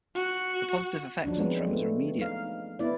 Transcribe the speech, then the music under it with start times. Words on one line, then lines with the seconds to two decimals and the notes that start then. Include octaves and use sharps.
The positive effects on tremors are immediate.
0.15 F#4
1.24 F3 F#3 D4 D#4
1.37 G#3 B3 C4
1.67 A3 B3
2.19 D#4 F5
2.79 B3 E4 D5